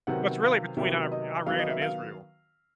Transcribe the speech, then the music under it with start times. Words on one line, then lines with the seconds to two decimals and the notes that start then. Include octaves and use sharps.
So it's really between Ir Iran and Israel.
0.07 C3 D#3 F#3 B3 F#5
0.43 F5
0.77 C3 D#3 F#3 B3 E5
1.12 D#5
1.46 D#3 F#3 B3 F5
1.59 D#5
1.70 E5
1.81 F5